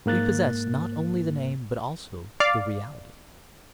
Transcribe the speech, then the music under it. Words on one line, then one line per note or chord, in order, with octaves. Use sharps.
We possess not only the name, but also the reality.
G#2 A#3 F#6 A6
D5 F5